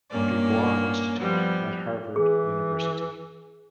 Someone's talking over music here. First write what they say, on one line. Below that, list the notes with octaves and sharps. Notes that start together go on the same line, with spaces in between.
Du Bois Institute at Harvard University.
G2 A#2 A#3 C#4 D5
F3 G3 B3
E3 G#4